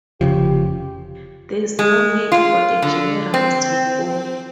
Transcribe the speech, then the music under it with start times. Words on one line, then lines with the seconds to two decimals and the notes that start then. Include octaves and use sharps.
There is no need for the General to go.
0.21 F1 C#3 F3 G4
1.79 G#3
2.32 F4
2.82 D3
3.34 C4